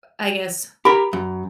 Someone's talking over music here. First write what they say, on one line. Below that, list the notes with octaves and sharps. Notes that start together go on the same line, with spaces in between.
I guess,
G4 A#4 B5
F#2